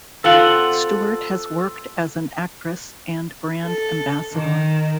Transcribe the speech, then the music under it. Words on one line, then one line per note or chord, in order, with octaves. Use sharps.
Stewart has worked as an actress and brand ambassador.
C4 F4 A4 F#5
A4
D#3